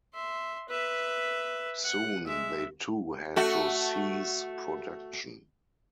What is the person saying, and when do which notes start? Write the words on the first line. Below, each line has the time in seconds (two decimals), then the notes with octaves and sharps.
Soon they too had to cease production.
0.13 E5 C6
0.69 B4 E5
1.84 F#5
2.25 G#3 E5
3.36 A3 F#4